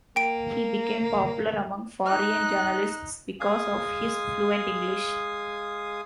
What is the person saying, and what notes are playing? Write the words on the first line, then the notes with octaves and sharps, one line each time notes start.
He became popular among foreign journalists because of his fluent English.
A#3 G5 D7
D#4 F#6
G#3 F5 G#5 D#6